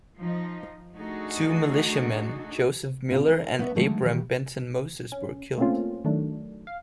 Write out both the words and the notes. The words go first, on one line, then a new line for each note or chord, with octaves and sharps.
Two militiamen, Joseph Miller and Abram Benton Moses, were killed.
F3 D#4
A3 D4 D#4 F#4 G#4 A4
A#2 C4 D4 F4
E4 A#4 C5
B3 B4 C#5 D5 E5
D3 D#3 F#3 G#3 A3
D#3 E3 G3 F#4
C#4
A3 A#3 C4 C#4 F4
D#3 F#3 A3 D4
F5